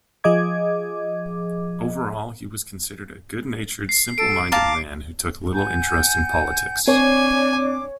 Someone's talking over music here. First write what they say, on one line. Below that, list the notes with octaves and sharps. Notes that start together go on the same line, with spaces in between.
Overall, he was considered a good-natured, simple-minded man who took little interest in politics.
F3 G#4 D#5 D6 G#6
C7
A4 D7
F5 A5 A#5 D6
F#5 G#5 G6
C4 D4 C#5 G#5 D6